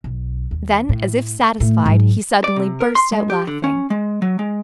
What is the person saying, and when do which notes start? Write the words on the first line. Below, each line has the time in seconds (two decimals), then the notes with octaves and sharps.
Then, as if satisfied, he suddenly burst out laughing.
0.04 B1
0.51 D#2
0.89 A2
1.60 A2 A3
1.86 G#2 F#3
2.44 D5
2.56 C3
2.80 A#4
2.95 C6
3.12 G#3
3.30 G4
3.47 D3
3.64 C#4
3.90 G#3
4.22 F#3
4.39 G#3